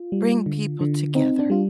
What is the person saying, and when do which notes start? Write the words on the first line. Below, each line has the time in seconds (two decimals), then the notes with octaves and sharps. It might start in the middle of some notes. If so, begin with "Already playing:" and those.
bring people together?
Already playing: F4
0.12 G3
0.46 D3
0.81 D3
1.15 C4 D#4
1.39 D4
1.50 G3 F4